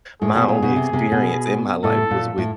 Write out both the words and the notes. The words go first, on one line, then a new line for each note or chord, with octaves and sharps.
my only experience, in my life, was with
A2 G#4
B2
A#2
B2
C3
C3
B2
A2 A4
A#2
A2